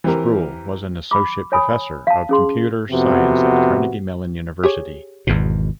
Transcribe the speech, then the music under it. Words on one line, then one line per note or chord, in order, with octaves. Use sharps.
Sproull was an Associate Professor of Computer Science at Carnegie Mellon University.
E3 C4 G4 A#4
B5 D6
C#5 G#5 B5 D#6
F5 A5
C#4 G#4 C6
F2 C3 B3 F#4
G4 G#4 C#5
G#1 E2 B2